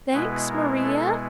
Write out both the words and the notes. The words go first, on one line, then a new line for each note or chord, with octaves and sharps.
"Thanks, Maria."
B2 G#3 B3 E4 B4
A#4
A4